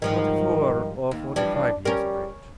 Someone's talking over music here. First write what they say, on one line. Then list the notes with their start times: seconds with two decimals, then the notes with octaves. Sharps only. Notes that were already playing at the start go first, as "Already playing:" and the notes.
"Forty-four or forty-five years of age."
0.02 G#2 D#3 F3 G3
1.11 D#2
1.36 E3 F3 G3 D4
1.56 D4
1.85 G3 C#4 A#4